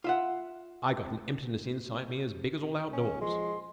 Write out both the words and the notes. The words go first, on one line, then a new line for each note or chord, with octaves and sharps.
I got an emptiness inside me as big as all outdoors.
F4 E5 F#5
C#4
F3 G#3 C6